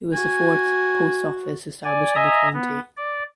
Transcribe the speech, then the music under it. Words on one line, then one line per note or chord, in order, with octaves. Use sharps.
It was the fourth post office established in the county.
F#4 G#5
D5 G#5
D#5 E5 G#5 A#5 D#6
B3
D5